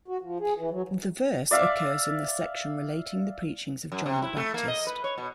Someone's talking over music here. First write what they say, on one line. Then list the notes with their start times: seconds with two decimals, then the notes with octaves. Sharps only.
The verse occurs in the section relating the preachings of John the Baptist.
0.08 F#4
0.21 F3
0.40 G#4
0.56 E3
0.71 F#3
1.51 D5 E5 F5 D6
3.92 F#2
4.06 C3
4.22 E4
4.37 A3
4.54 A#3
4.68 D#5
4.87 B4
5.04 C#5
5.18 B2